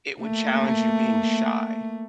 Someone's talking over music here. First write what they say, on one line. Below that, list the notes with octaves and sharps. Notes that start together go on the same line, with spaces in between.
it would challenge you being shy,
A3 A#3